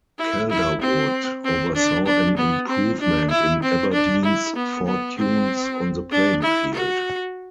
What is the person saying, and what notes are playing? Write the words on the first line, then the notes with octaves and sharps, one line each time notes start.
Calderwood oversaw an improvement in Aberdeen's fortunes on the playing field.
E4
E4
C4
C4
D4
D4
B3
C4
D4
E4
C4
D4
E4
B3
B3
C4
D4
E4
F#4